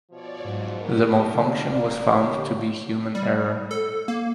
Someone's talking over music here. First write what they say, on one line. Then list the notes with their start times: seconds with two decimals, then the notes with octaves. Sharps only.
The malfunction was found to be human error.
0.11 B2 F3 C#5 D5
0.45 G#2 F#3
0.81 A#3 B3 G4 A#4
1.34 D3 F5
1.70 F1 A#3 D5
2.12 D3 G4 C#5
3.15 G3
3.71 A4
4.08 A#3